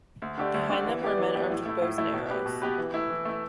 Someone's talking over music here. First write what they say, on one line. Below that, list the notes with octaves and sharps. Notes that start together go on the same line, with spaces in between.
Behind them were men armed with bows and arrows.
D2
D3 A3 G4 D5
D2
D3 A3 G4 D5
E3
B3 G4 D5
E3
B3 G4 D5
A2
A3 E4
A2
A3 E4
B2
B3 G4 B4
B2
B3 G4 B4
E3
A3 E4
E3
A3 E4